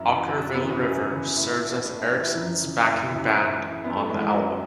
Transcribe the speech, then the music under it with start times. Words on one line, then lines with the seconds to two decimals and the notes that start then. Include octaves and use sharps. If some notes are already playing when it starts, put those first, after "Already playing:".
Okkervil River serves as Erickson's backing band on the album.
Already playing: F#2 E3 E4 F#4
0.13 E3
0.38 F#2 F#4
0.54 B3
0.63 C#3 E3
0.70 F#4
0.87 F#2 G#4
1.12 C#3 E3 G#4
1.37 A2 E4
1.49 E4
1.61 E3 D4
1.73 B3
1.86 A2 D4
1.98 E4
2.10 E3 D4
2.23 E4
2.35 F#2
2.60 C#3 E3
2.85 F#2 E4
3.10 C#3 E3 E4
3.34 F#2 E4
3.60 E3
3.84 F#2 B3
3.97 A3
4.09 E3 G#3
4.22 G#3
4.34 F#2 F#3